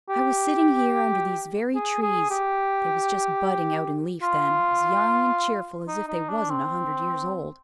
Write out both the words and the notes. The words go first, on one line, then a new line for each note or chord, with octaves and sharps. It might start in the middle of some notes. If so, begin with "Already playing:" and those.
I was sitting here under these very trees--they was just budding out in leaf then, as young and cheerful as if they wasn't a hundred years old.
G4
G#4
G#4
G4
F4
D#4
D#4
D4
C4